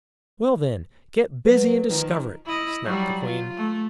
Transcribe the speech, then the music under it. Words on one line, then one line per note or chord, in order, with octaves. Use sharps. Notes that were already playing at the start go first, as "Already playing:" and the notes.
"Well, then, get busy and discover it," snapped the Queen.
F#3 B4
D#3 F3
E4 D#5
F#3 G3
F4
A3